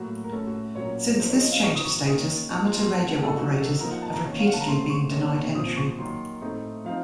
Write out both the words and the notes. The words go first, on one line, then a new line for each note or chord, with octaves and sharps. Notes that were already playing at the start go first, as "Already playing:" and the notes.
Since this change of status, amateur radio operators have repeatedly been denied entry.
Already playing: A2 F#3 A#3 F#4
A#4
A2 A3 C#4 A4
F#4
A#2 F#3 A#3 C#4 C#5
F3 C4 D#4 C5
C#5
D#5
F5
F3 C4 D#4 C#6
D#6
C#6
D#3 A#3 C#4 D#6
F3 A#3 D#4 C#6
C6
C6
F3 A3 C4 A5
F#5
A4
C3 F#3 C4 D#4 F#4
F#4
A4
F3 A#3 D#4 A#4
F#5
A5
A#5
D#3 A#3 C#4
F5
F#5
A5
A#5
C#3 A3 C4 C6
C#6
D#3 A#3 C#4
A#2 F3 C4 D#6
C#6
D#3 F#3 A#3 C6
A2 A3 C4 D#4
F3 C4 D#4 F5